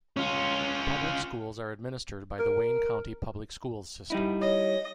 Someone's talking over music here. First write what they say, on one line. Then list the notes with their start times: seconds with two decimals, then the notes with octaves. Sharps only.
Public schools are administered by the Wayne County Public Schools system.
0.17 C#4 F4
2.39 A#4
4.10 G3 D#4 E4
4.41 C#5 D#5